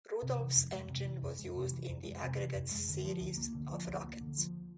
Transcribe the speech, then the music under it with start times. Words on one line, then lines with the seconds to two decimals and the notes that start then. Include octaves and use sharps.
Rudolph's engine was used in the Aggregat series of rockets.
0.23 C3
0.39 E3
0.56 F2
0.72 G#3
0.89 C3
1.05 E3
1.22 F2
1.39 G#3
1.55 C3
1.72 E3
1.89 F2
2.05 G#3
2.22 C3
2.38 E3
2.55 F2
2.72 G#3
2.88 D3
3.05 F3
3.21 D2
3.37 A#3
3.55 D3
3.71 F3
3.88 D2
4.04 A#3
4.21 D3
4.38 F3